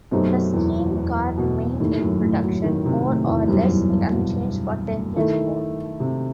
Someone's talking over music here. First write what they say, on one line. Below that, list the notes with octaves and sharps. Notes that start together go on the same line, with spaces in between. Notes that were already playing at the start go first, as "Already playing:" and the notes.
The steam car remained in production more or less unchanged for ten years more.
F#2 B2 A3 C4 D#4 G4
E2
E2
B2
D#2 A2 D#3 A3 D#4
F#2
A2
F#3
D#3
C3
A2
E2
C2 F#2 B2 G3 C4 D#4
E2
G2
B2
D#3 A3 E4 A4
C3